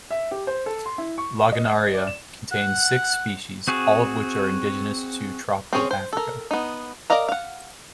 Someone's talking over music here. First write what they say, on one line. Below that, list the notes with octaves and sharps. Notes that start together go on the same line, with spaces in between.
"Lagenaria" contains six species, all of which are indigenous to tropical Africa.
E5
G4
C5
A4
C6
E4
C#6
D#5
D5
E7
F#5
C4 F#4 G#4
C4 C#4 G#4 C#5
C5
A4 A#4
B3 D#4
A#4 D5 D#5 F5 A#5
F5 F#5